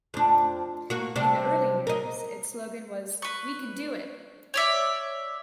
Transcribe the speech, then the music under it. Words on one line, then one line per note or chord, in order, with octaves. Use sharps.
In the early years, its slogan was We Can Do It!
F2 D4
A#3 F#4
C3 G3 D4
A#4 D#5
B4 C#6
C#5 D5 E5